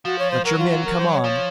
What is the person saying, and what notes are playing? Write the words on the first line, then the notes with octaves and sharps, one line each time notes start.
Let your men come on.
F3 F#4
C#5
C5
F#3 A#4
F4
F4
A#4
C5
C#5
F3